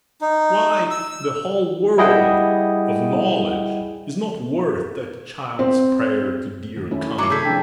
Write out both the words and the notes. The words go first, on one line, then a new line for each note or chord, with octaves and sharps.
Why, the whole world of knowledge is not worth that child's prayer to 'dear, kind God'!
D#4
E6
G3 E4 G#4 D#5 F#5 G5
C4
D#3
A3 C#4 E4
F#3 A#3 A#5 D6
C3 G#4 A4 E6 G6 B6
F3 D4 G5